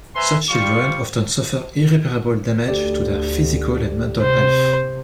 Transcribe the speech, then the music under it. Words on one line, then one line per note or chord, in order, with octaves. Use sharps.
Such children often suffer irreparable damage to their physical and mental health.
B4 C5 E5 G#5 A#5 C6
G3 F4 C#6
D2 G4 A4 D5
C3 C5